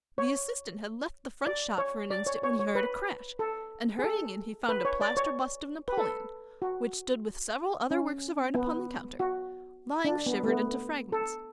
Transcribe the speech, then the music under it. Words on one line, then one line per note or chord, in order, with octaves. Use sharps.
The assistant had left the front shop for an instant, when he heard a crash, and hurrying in he found a plaster bust of Napoleon, which stood with several other works of art upon the counter, lying shivered into fragments.
C#5
D5
C#5
D5
C#5
C#5
C#5
B4
A4
G#4
A4
B4
C#5
D5
C#5
B4
A4
F#4
C#4
B3
F#4
D4
B3
A3
B3
A4